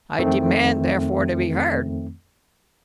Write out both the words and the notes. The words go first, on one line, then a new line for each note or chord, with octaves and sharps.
I demand therefore to be heard.
F2 D#3 A3 C4